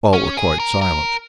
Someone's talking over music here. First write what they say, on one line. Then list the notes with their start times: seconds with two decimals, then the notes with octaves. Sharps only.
All were quite silent.
0.13 C#4
0.37 G#4
0.60 A#4
0.82 A#4